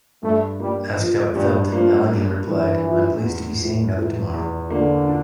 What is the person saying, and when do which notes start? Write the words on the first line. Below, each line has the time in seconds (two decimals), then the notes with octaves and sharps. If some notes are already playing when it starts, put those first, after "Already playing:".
Asked how it felt, Allingham replied, I'm pleased to be seeing another tomorrow.
0.23 G2 A3
0.60 G3 A#3
0.98 F3
1.35 G2 G3
1.72 F3 A#3
2.09 A#3
2.46 G2 E3
2.85 F3
3.22 E2
3.59 E3
3.97 E3
4.34 E2
4.70 D3 A#3
5.08 D4